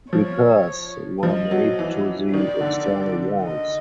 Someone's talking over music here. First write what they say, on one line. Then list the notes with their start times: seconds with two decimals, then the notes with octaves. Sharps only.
Repairs were made to the external walls.
0.13 F3 C#5
1.23 F3 D#5
1.51 F#3
1.79 E3
2.33 D#3 D5
2.61 D3
3.43 D#5